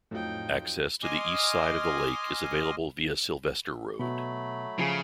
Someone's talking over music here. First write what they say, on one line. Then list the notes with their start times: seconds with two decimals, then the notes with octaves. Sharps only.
Access to the east side of the lake is available via Sylvester Road.
0.11 F2 A2 F#3 D#4 F4 G5
1.03 D#5 G#5 C6 D6 D#6 F6
3.99 B2 F#3 A3 B5
4.79 C#3 F3 G#4